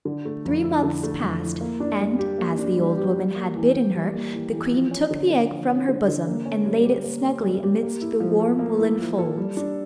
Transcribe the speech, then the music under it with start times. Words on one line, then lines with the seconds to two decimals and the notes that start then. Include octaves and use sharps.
Three months passed, and, as the old woman had bidden her, the queen took the egg from her bosom, and laid it snugly amidst the warm woollen folds.
0.05 D3
0.25 A3
0.45 F2
0.64 E4
0.83 D3
1.03 A3
1.22 F2
1.42 E4
1.61 A#3
1.80 D4
2.00 G3
2.19 G4
2.38 A#3
2.58 D4
2.77 G3
2.97 G4
3.16 G3
3.36 A#3
3.56 E3
3.75 E3
3.94 G3
4.13 A#3
4.33 E3
4.53 E3
4.72 F3
4.91 C#4
5.10 D3
5.30 D3
5.50 F3
5.69 C#4
5.88 D3
6.08 D3
6.27 A#3
6.46 C#4
6.65 G3
6.85 G4
7.04 A#3
7.24 C#4
7.43 G3
7.63 G4
7.83 A#3
8.01 E4
8.20 F3
8.40 A4
8.59 A#3
8.79 E4
8.99 F3
9.19 A4
9.38 G3
9.57 D4